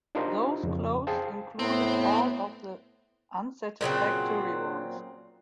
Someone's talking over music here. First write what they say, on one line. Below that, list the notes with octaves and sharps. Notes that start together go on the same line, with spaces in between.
Those closed included all of the unsatisfactory ones.
D4 D#4 F4 G4 A#4 C5
F2 C#3
G#4 C5 F5 G5 A5
A2 B3 C4
A#2 C#3 F#3 C4